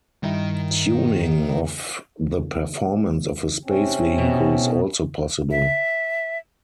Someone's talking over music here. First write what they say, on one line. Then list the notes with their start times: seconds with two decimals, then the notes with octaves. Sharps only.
Tuning of the performance of a space vehicle is also possible.
0.23 G2 D#3 E4 D#5
3.65 C3 C4 C#4
4.18 B2
5.51 E5